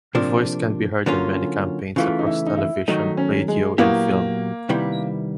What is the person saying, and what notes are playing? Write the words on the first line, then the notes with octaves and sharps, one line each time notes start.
Her voice can be heard on many campaigns across television, radio and film.
C3 F3 A#3 D4
D3 F#3 A#3 C#4 F4
C#3 E3 A3 F4
D#4
E4
D#4
E4
D#3 F#3 A3 D#4
C#4
G#3
A#2 F#3 A#3 B3 E4 G4
C3 D#3 G3 B3 E4